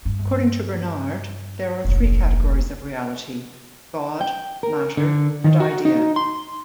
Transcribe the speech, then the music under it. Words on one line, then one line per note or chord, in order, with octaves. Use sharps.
According to Bernard, there are three categories of reality: God, matter, and idea.
G2
F1 A#1
G5
A#4
D3
D#3
F#4
D#4
C6